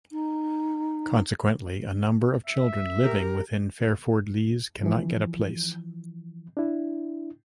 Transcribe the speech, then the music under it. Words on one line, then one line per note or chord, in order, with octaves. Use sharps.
Consequently, a number of children living within Fairford Leys cannot get a place.
D#4
E5
G4 A#4
E3 F3
D4 E4